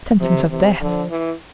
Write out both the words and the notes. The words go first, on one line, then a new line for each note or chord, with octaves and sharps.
"Sentence of death."
C3 F3
D3
C3 E3
D3 F3
E3